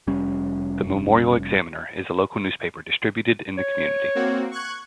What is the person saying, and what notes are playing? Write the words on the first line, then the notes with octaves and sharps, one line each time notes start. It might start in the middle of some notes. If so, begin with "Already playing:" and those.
The "Memorial Examiner" is a local newspaper distributed in the community.
F1 G3 C#4
C#5
A#3 C4 F#4
C#6 F#6 G#6